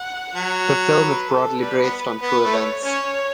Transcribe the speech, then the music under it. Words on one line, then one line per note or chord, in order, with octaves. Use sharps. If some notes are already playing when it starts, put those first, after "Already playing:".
The film is broadly based on true events.
Already playing: F#5
F#3
B4
A4
G3 B4
B3
B3 B4
A3
C#5
C#4 C#5